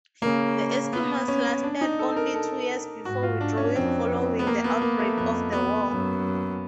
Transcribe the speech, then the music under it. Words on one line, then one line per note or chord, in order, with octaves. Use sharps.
The Eskimos lasted only two years before withdrawing following the outbreak of the war.
C#3 A#3
B3
C#4
D4
D#4
A4
A#4
A4
G#2 F#4
F4
D4
C#4
F2 C4
B3
A#3
B3
A#3
A3
F2 B3
B3
F#2